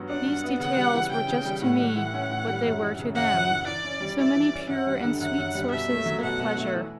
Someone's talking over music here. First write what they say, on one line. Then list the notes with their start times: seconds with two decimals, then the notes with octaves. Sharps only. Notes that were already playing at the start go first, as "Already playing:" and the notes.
These details were just to me what they were to them--so many pure and sweet sources of pleasure.
Already playing: G2 F#3 B3
0.09 D4 F#5
0.26 G2
0.43 B3
0.60 C#3 F#5
0.77 G3
0.94 E3
1.11 C#3 G5
1.28 C#3
1.45 G3
1.62 A2 F#5
1.79 G3
1.96 E3
2.13 C#4
2.30 A2
2.48 G3
2.65 F#2
2.81 E3
2.99 C#3
3.15 F#2 F#5
3.34 F#2
3.50 E3
3.67 E3 D5
3.84 C#4
4.01 G3
4.19 E4 D5
4.35 E3
4.53 C#4
4.69 F#2 F#5
4.87 G3
5.04 D3
5.20 F#2 F#5
5.38 F#2
5.55 G3
5.71 B2 E5
5.89 A3
6.06 F#3
6.23 B2 F#5
6.40 B2
6.58 A3
6.75 E3